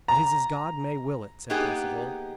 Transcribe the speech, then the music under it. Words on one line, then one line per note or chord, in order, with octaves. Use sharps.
'It is as God may will it,' said Perceval.
A#5
A#3 B3 D#4 G4 G#4